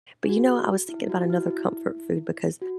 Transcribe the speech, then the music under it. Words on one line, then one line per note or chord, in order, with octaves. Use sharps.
But you know what? I was thinking about another comfort food, because
G#4
F#4
E4
F#4
F#4
E4
E4
F#4